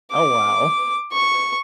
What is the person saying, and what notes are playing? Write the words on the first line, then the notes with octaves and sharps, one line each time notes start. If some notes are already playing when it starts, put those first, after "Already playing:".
Oh, wow.
D6
C#6